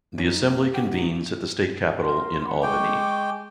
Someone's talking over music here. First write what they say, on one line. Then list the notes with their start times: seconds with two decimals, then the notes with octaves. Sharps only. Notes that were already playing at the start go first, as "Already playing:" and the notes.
The Assembly convenes at the State Capitol in Albany.
0.18 F#2 D#4
0.45 A#3
0.74 G4 F#5
0.92 D#4
2.01 A#4 C6
2.45 F#5 B5
2.63 G#3 G5 C#6 D6